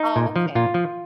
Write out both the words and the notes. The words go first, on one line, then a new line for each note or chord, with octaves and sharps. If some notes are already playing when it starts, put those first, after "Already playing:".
Oh, okay.
Already playing: D#4
A#2
F3
A#2 F4
F3